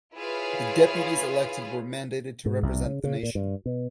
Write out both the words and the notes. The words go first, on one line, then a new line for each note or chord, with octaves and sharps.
The deputies elected were mandated to represent the nation.
E4 F4 G#4 B4 C#5 F5
G#2
C2
C#3
C#3
A#2
G2
B2